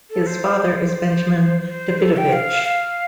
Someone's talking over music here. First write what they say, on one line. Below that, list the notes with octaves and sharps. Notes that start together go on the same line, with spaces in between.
His father is Benjamin Davidovich.
A4
C5
C5
C5
C5
A4
G5
F5
F5